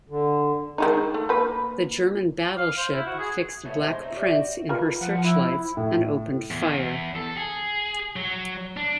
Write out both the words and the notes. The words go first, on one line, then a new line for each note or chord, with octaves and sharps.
The German battleship fixed "Black Prince" in her searchlights and opened fire.
D3
D#3 G#3 D#4
A3
A#3 B4
F5
C5
E4
F#4
G#4
C#3 A3 B3 C#4
G#3 G4 G#4 C5
A3 C4 D#4
C#4 E4 G4 D5
F#4
F4 A#4 B4
F3 F#5
E4
A2
E2
A4
G#4
F#3
D4